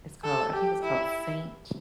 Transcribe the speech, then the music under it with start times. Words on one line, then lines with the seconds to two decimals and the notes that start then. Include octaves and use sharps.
it's called I think it's called Saint
0.24 A4
0.53 G4
0.83 E4